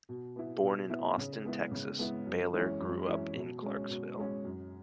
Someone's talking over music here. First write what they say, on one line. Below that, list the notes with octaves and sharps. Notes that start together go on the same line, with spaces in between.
Born in Austin, Texas, Baylor grew up in Clarksville.
B2
B3 E4
B2
B3 E4
C#3
G#3 B3 E4
C#3
G#3 B3 E4
F#2
E3 G#3 C#4 E4
F#2
E3 G#3 C#4 E4
B2
G#3 C#4
B2
G#3 C#4
F#2